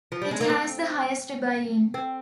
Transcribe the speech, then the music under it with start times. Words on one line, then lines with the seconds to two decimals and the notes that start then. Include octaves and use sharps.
It has the highest buy-in.
0.12 F3
0.22 G3
0.31 G#3
0.41 A#3
0.50 C4
1.94 C4